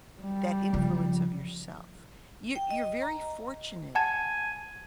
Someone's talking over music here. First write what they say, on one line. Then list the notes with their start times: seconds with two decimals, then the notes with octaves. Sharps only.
that influence of yourself. You you're fortunate
0.21 G3
0.73 C#3 F3
2.56 G5
2.71 D#5
3.02 A#5
3.95 F#5 G#5 A5 G#6